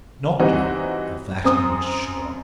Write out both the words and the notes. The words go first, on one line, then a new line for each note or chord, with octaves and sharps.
Not long; of that I was sure.
E3 G3 C4 D#4 F#4
F#2 C4 D#6